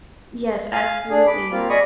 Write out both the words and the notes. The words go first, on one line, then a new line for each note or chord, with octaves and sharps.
yes, absolutely.
F5 G#5
D4 G#4
B5 D6
A#3 C4 F4
G#4 D5 D#5 B5 C#6 D#6